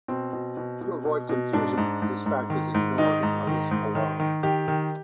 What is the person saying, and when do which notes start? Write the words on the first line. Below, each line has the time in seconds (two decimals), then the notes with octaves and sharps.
To avoid confusion, this fact is ignored in the list below.
0.08 B2 C4
0.33 B2
0.57 B2
0.81 B2
1.05 B2
1.29 B2
1.53 G#2 D4
1.78 G#2
2.02 G#2
2.26 G#2
2.50 D#3
2.75 G#2
2.98 D#3 D#4
3.23 G#2
3.47 D#3
3.71 G#2
3.95 D#3
4.20 D#3
4.43 D#3 G4
4.68 D#3